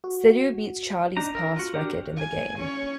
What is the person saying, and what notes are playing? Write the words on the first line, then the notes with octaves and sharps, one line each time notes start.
Siddhu beats Charlie's past record in the game.
F#4
D4 D#4 A#5
A#4
F4 F#4
D4 G4 A#4
G#5
C#4 C#5